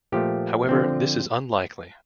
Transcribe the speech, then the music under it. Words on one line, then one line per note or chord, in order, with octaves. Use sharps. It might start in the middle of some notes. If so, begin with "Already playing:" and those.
However this is unlikely.
A#2 F3 A3 G4
D3 F3 C4